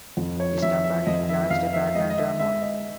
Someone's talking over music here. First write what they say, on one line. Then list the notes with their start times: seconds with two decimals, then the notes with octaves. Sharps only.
His companion glanced back and ran on.
0.17 F2
0.40 C#5
0.62 F2 E5
0.84 E5
1.07 F2 D#5
1.29 E5
1.50 F2 F5
1.73 E5
1.95 G#3 D#5
2.10 D#5
2.17 E5
2.39 G#3 E5
2.62 D#5